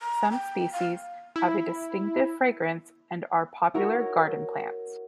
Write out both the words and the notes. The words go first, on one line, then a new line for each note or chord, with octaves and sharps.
Some species have a distinctive fragrance and are popular garden plants.
A#5
G5
F5
E4
E4 F#4 A#4 C#5